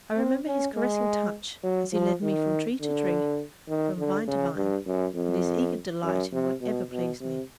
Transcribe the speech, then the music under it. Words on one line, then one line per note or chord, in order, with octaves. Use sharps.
I remember his caressing touch as he led me from tree to tree, from vine to vine, and his eager delight in whatever pleased me.
C4
C#4
G#3
F#3
F3
D#3
D3
D#3
D3
C#3
G2
F#2
F2
F#2
C3
B2
B2
C3